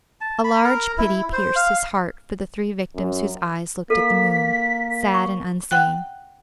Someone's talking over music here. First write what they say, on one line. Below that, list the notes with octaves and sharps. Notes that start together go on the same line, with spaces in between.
A large pity pierced his heart for the three victims whose eyes looked at the moon, sad and unseeing.
A5
B5
A#4
E4
C5
F5
F#2
A#3 A4 B6
C#6
F#5 G5 F#6